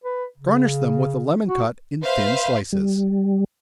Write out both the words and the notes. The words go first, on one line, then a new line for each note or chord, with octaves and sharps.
Garnish them with a lemon cut in thin slices.
B4
C#3
F#4
B4 C5 E5 F5
G3